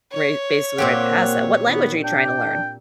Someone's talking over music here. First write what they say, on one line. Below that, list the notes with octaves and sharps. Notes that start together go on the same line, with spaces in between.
right basically right past that what language are you trying to learn?
C#5
A#2 A#3 C4 G4 F#5
D#3 B3
D4 G5